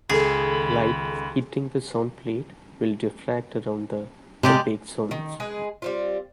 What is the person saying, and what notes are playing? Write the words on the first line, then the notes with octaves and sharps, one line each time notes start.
Light hitting the zone plate will diffract around the opaque zones.
C#2 D#3 G#4 A4 B5
C3 G#3 G4 D5
D#3
G#3 G#4 B4
G3 C4 F4